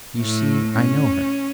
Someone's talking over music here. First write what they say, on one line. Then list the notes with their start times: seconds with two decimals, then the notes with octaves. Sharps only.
You see I know her.'
0.19 A2 A3
0.77 C#4